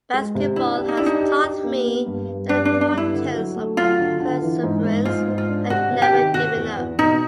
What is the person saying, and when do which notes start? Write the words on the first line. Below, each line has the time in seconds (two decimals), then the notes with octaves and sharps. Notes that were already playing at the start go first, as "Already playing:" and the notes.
Basketball has taught me the importance of perseverance and never giving up.
0.14 G#3
0.35 C3
0.56 D4 E4
0.78 G4
0.88 D#4
0.97 D4 E4
1.06 D#4
1.21 G4
1.43 G4
1.64 A#3
1.85 B3
2.06 G2
2.28 G2
2.49 G2 D4
2.65 D4
2.71 B3
2.81 D4
2.92 G2
2.97 E4
3.13 D3
3.34 F#3
3.56 A3
3.77 F#3 F4
3.99 D3
4.20 D3
4.42 E3
4.63 G#2
4.84 G#2
5.05 G#2 F4
5.27 G#2
5.38 F4
5.49 D4
5.70 C3 F#4
5.91 C3
6.02 G4
6.13 D#3
6.34 C3 F#4
6.56 E2
6.76 E2
6.99 B2 D#4